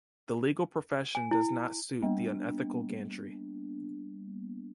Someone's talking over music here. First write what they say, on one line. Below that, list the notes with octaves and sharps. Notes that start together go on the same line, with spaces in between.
The legal profession does not suit the unethical Gantry.
G#5
E4
G3 A#3 B3 D4